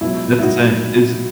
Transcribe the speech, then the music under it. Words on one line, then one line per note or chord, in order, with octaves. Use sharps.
That's insane. Is i
C#2 B2 F#3 E4
E4
D#4 F#4